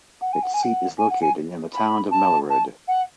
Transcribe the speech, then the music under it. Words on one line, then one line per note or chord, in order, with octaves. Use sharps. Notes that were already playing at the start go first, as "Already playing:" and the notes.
Its seat is located in the town of Mellerud.
F#5
G#5
F#5
G#5
F#5
G#5
F#5
G#5
B5
A5
A5
F#5